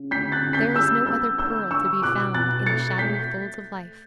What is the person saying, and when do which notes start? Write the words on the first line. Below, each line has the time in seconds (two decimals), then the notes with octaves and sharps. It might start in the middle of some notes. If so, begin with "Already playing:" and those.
There is no other pearl to be found in the shadowy folds of life.
Already playing: C#3
0.11 D2 G6 B6
0.32 F#6 A6
0.43 C#3
0.53 G6 B6
0.75 G3 E6 G6
1.06 B3 E6 G6
1.38 D3 E6 G6
1.71 D3 C#6 E6
2.02 B2 D6 F#6
2.34 B2 F#6 A6
2.66 A3 A6 C#7
2.98 A3 G6 B6